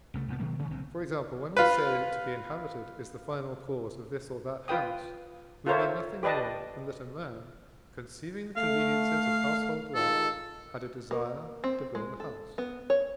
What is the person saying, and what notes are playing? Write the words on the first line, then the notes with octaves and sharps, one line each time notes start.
For example, when we say that to be inhabited is the final cause of this or that house, we mean nothing more than that a man, conceiving the conveniences of household life, had a desire to build a house.
C2 C#3 A3
C2 A2 B3
B2 D#3 F#3 A#3
C3 D#3 E3 A3
B1 A#2 D3 C4
F4 B4
F4 B4 G5 D#6
F4 A4 A#4 C5 C#5 E5
G4 B4 D5 D#5 A5
A3 F5
D#3 G#3 F4 A4
A#3
C4
G#3
A4
B3
C#5